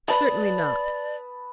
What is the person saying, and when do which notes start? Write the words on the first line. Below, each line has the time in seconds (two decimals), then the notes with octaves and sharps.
Certainly not.
0.08 B4 D5 A5 D#6